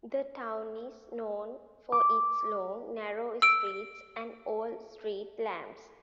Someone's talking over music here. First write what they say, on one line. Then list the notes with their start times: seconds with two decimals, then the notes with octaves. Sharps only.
The town is known for its long, narrow streets and old street lamps.
1.92 D6
3.42 E6 D7